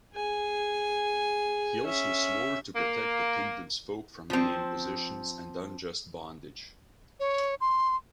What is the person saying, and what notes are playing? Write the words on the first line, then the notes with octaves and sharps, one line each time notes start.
He also swore to "protect the Kingdom's folk from any impositions and unjust bondage".
G#4 G#5
C#4 E5
A#3
F3 C4
C#5
C6